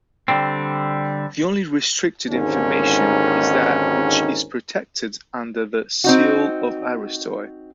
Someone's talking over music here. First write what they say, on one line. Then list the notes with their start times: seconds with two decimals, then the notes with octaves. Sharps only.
The only restricted information is that which is protected under the "Seal Of Aristoi".
0.28 D3 G3 C4
2.30 G#1 D#2 G#2 D3 C#4 A#4
6.04 C4 D#4 F#4